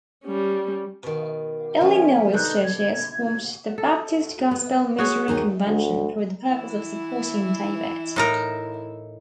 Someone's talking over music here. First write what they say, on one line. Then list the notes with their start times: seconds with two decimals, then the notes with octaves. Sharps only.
Illinois churches formed the "Baptist Gospel Missionary Convention" for the purpose of supporting David.
0.24 G3 C#4
1.03 B2 D#3
1.80 D3 F3 G3 C#4 E5 G#5
2.33 B2 D3 D#4 A4 F#6 G6
2.64 G#6
3.78 A4
4.51 B3
4.98 F#4 G#4 C#5
5.28 D#2 D#4 G#5
5.66 D2
6.45 E3 E4
8.16 A2 D#4 A#4